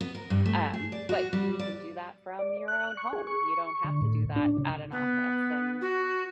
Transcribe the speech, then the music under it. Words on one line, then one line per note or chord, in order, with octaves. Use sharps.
um, but you can do that from your own home. You don't have to do that at an office and
B3
A#4
G2
A3
G#4
D5
F#4
G3
D5
D5
F#6
C#6
G#4
C#6
D3
A2
D4
C#3
B3
F#4